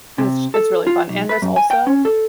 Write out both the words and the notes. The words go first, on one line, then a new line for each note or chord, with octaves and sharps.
it's it’s really fun, and there's also
C3
A4
F4
B1
B4
F#2
G#5
G5
C#4
A4